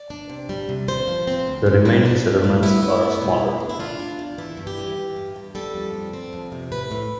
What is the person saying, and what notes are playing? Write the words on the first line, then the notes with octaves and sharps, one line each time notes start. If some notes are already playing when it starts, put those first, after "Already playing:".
The remaining settlements are smaller.
Already playing: D5
D4
C3
G3
C3
C3 C5
F3
C4
D2
F3
C4
D4 G4
F3
A2
B3 E4
B3
B3
B2
D4
D4
E4
D4 F4
D4
E2
E3 E4
G2
G4
E3
E3
G2
G2
G3 A4
F2
C4
C4
F2
C3
A2 B4
A2